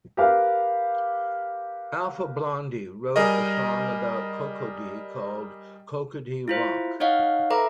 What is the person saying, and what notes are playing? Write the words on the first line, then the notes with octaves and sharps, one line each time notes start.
Alpha Blondy wrote a song about Cocody, called Cocody Rock.
G4 A#4 B4 F5
G3 G#4 A#4 D#5
E4 F4 C5
D#4 C#5 D#5 F5 F#5
A4 B4 E5 A#5 D6